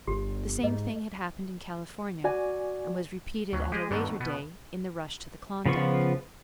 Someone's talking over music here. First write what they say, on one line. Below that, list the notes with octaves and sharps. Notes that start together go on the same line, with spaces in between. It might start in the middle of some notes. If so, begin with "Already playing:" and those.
The same thing had happened in California, and was repeated at a later day in the rush to the Klondike.
G1 G4
G#2 D#5
F#4 D5 G#5
D2 F#3
G#3 G4 G#4 D#5
G2 B2 D3 D#3
B2 B3
C#3 F3 B3 F4 C#6